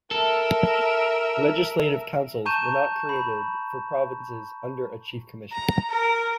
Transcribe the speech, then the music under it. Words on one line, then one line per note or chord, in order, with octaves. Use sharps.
Legislative councils were not created for provinces under a chief commissioner.
A4 A#4 E5
A5 A#5 C#6 G6 D#7 E7
B5
A#5
A#4